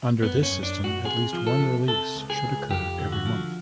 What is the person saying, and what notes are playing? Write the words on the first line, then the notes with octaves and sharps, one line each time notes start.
Under this system, at least one release should occur every month.
F#2 B3
C#4
F#2
D4
F#2
F#4
C3 G#4
F3
A4
C3
C3 A4
C#2
G#4
C#2
F2 G4
D3
F#4
F3